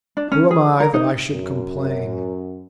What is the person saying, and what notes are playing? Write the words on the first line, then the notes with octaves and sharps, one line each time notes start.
Who am I that I should complain?
D4
C#4
G#4
A#4
D#4
F#2